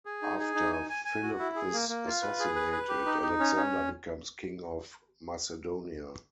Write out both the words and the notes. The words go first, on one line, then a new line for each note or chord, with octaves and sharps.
After Philip is assassinated, Alexander becomes King of Macedonia.
G#4
D#4
G#4
D#4
G#5
G#5
G#5
F#4
E4
G#4
A#3
A#3
F4
B4
G#4
B4
B4
G4
D#4
D#4
C#4
C#4